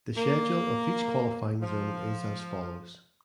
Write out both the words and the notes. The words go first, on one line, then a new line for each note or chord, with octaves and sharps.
The schedule of each qualifying zone is as follows.
A#3
F3